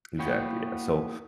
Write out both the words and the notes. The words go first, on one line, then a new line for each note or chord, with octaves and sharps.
Exactly, yeah, so
A#3 B3 E4 F#4 C#5 G5